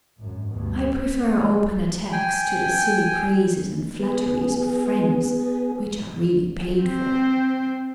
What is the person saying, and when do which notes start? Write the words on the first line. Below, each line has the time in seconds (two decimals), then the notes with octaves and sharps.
"I prefer open attacks to the silly praises and flatteries of friends, which are really paid for."
0.16 G#1 F#2
0.50 D2 G2 B2
2.13 G5 G#5
3.99 B3 G#4
6.82 C4